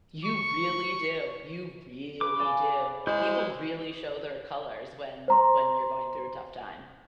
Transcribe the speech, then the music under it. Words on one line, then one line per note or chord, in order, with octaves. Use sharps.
you really do. You really do. People really show their colors when, when you're going through a tough time.
C#6
B4 D6
G#4 D5 F5
G#3 E4 F#4 C5
C5 A#5 C6